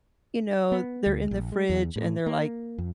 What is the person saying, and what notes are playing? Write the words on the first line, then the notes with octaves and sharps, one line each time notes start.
you know, they're in the fridge and they're, like
B3
D2
A#1
G#3
E2
A2
A#3
F2